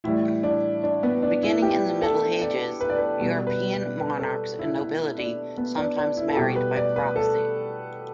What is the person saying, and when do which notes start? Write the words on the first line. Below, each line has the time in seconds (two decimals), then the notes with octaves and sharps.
Beginning in the Middle Ages, European monarchs and nobility sometimes married by proxy.
0.04 A2 E3 G3 E4
0.43 D4
0.84 D4
1.03 B3
1.23 D4
1.43 E4
1.62 G4
2.02 A4
2.42 D5
2.81 B4
2.90 D5
2.98 B4
3.20 B2 G3
3.47 B4
3.73 D5
3.99 B4
4.19 A4
4.59 E4
4.79 E4
5.18 D4
5.58 B3
5.77 D4
5.97 D4
6.17 E4
6.28 A4
6.36 B2 G3 G4
6.56 B4
6.76 D5
6.96 B4
7.16 A4